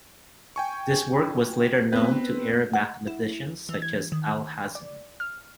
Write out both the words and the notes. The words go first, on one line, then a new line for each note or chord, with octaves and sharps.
This work was later known to Arab mathematicians such as Alhazen.
G5 G#5 C#6
B3 C4 B4
F#5
E4
E3
G#6
D#3
D5
F6